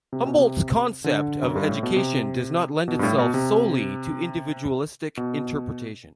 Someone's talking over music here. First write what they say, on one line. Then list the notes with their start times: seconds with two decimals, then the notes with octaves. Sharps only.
Humboldt's concept of education does not lend itself solely to individualistic interpretation.
0.13 C3
0.26 B2
0.38 C3
1.04 D3
1.42 F#2
1.56 G2
1.69 A2
1.83 B2
1.96 C3
2.88 B2
2.99 G2
3.03 A2
3.18 B2
3.34 C3
5.17 B2